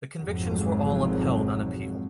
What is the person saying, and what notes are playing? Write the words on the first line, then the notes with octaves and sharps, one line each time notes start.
The convictions were all upheld on appeal.
G#1 F2 G#2 B2 F3 F#3